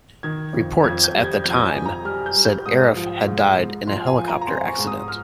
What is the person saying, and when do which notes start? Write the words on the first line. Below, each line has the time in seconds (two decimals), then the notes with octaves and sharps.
Reports at the time said Arif had died in a helicopter accident.
0.23 D#3 G#6
0.53 F2
0.84 F2 G#6
1.04 G6
1.14 G3
1.24 G#6
1.44 F2 G6
1.65 G#5
1.75 F2
1.86 A#5
2.05 G3 F6
2.26 G6
2.36 G3
2.45 G6
2.66 G#2 D#6
2.96 F3
3.27 G#2
3.56 G#2
3.87 F3 C6
4.07 G#5
4.17 F3
4.28 A#5
4.41 A#5
4.47 C4 C6
4.67 C#6
4.78 G#2
4.87 D#6
5.08 F6